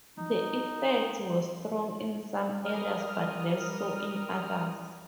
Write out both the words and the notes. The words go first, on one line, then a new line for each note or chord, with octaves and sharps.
The effects were strong in some areas but less so in others.
D#4
G3 A#4 D#6 F6